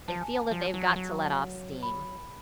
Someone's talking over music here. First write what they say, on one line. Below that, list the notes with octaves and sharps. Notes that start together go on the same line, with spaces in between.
They feel that they've got to let off steam.
F3 A5
G#5
A5
F3
F#3
F3
F#3
B5